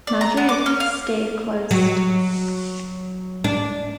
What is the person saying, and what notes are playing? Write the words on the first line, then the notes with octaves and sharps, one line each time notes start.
"Madrid" stayed closed.
D5
A#5
B3
D6
C#4
F5
F#3
D4